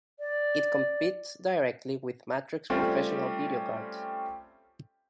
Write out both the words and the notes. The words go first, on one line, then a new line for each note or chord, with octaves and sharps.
It competes directly with Matrox professional video cards.
D5
G3 A3 C4 C#4 F4 G4